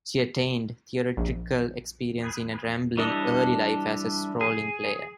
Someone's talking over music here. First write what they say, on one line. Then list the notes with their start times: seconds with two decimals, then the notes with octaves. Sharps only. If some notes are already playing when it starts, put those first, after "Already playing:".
She attained theatrical experience in a rambling early life as a strolling player.
1.17 A#1
2.97 E3 G3 D4 A4 D#5
4.41 G#4